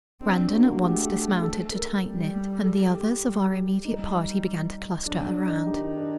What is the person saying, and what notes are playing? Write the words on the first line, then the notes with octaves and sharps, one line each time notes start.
Brandon at once dismounted to tighten it, and the others of our immediate party began to cluster around.
C4 D4
D4
A#3 F#4
F#4
A3 G4
G4
A4
A4
A4
A#4
G3
A4
G4
G3
G3 D#4
F#3 D4
D4
D#4
D#3 G4
D#4
D4